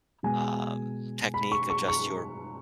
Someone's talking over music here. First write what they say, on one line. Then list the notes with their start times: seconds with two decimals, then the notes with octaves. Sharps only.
um, technique, adjust your m m
0.23 B2 G#3 G#5
1.34 B5
1.52 C#6
1.70 C#6
1.88 C#6